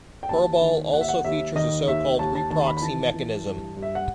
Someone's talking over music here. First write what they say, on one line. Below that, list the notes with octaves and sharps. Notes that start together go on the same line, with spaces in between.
Perlbal also features a so-called "re-proxy" mechanism.
G5
D#2 A5
D#3
D#2 F#5
E5
F#5
D#2 E5
D#3 D#5
D#2 E5
D#2 A5
A5
D#3 A5
B5
B5
E3 A5
E3
G2
G2
E5
F#5